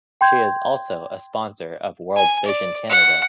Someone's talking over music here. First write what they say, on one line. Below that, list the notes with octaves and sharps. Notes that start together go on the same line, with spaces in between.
She is also a sponsor of World Vision Canada.
G5 C6 G6 G#6
G#5
D5
F#5